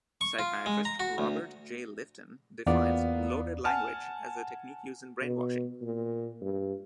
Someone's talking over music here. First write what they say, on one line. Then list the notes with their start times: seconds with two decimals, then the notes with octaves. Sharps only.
Psychiatrist Robert Jay Lifton defines "loaded language" as a technique used in brainwashing.
0.21 C#6
0.39 F4
0.66 G#3
0.85 A#5
1.00 F#4
1.18 D2
2.67 E2 A#3 B3 F4 D5
3.65 F#5 G#5 A5 F6
5.21 B2
5.82 A#2
6.42 G2